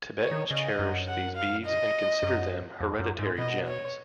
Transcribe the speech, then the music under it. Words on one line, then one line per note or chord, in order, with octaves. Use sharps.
Tibetans cherish these beads and consider them hereditary gems.
C#5
D#3
C#3 D#5
F#2
F#5
F5
D#5
F#2
F2
F#2
G#2
B2 D#5
C#5